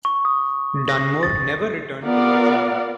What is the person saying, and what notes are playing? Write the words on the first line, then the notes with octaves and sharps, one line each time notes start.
Dunmore never returned to Virginia.
C#6
D#6
A#6
A6
B3 F4 A#4 D5 F5 F#5